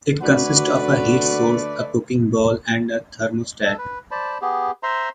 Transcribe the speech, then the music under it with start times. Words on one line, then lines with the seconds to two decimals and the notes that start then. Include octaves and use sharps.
It consists of a heat source, a cooking bowl, and a thermostat.
0.21 D2 A3 F#4 B4 D5
3.65 A4
3.78 B4
4.11 C5 D5 A5 B5
4.42 B3 G4 G#4
4.83 C5 E5 A#5 C6